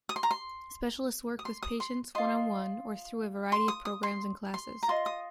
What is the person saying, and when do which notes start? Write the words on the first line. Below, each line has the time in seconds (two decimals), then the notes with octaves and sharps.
Specialists work with patients one-on-one, or through a variety of programs and classes.
0.09 D#6
0.16 C6
0.23 A#5
0.31 C6
1.39 D#6
1.45 C6
1.63 D#6
1.80 C6
2.15 F4 D#5 C6
3.52 C6
3.68 D#6
3.85 D#6
4.03 C6
4.54 C6
4.83 A#5
4.88 F4 D#5 C6
5.06 D#6